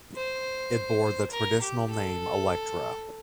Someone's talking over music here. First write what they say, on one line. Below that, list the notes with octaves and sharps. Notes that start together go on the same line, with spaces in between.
It bore the traditional name "Electra".
C5
A#4
G4
A4